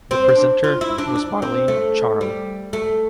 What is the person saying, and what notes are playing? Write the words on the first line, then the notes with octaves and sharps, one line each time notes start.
The presenter was Marlene Charell.
C4
D4
F4
E4
D4
D4
C4
A3
G3
A3